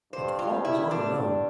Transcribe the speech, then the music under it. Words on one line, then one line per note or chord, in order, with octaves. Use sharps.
But the fault was all your own.
G2 C5
F4
E4
D4
G2